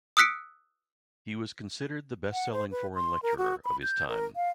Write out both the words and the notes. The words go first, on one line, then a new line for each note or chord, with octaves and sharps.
He was considered the bestselling foreign lecturer of his time.
D#6 E6 F#6 B6 C#7 D7
F#5
C5
B4
C6
A#4
F#4
B5
G6
A#4
F5